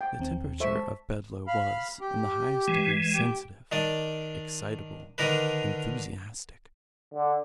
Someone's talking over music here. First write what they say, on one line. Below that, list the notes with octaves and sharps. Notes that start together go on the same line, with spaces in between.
The temperature of Bedloe was, in the highest degree sensitive, excitable, enthusiastic.
G5
D#2 C4
G#3 A4 C5 E5 C#6
A5
F5 B5
G4
E3 G#3
G4 G5
D#3 D4 D5
D3 D#3 D4 A#4 B4
D3